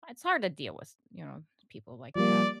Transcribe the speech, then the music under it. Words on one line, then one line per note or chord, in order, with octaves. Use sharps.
it's hard to deal with, you know, people like that.
F3 G3 A#3 D5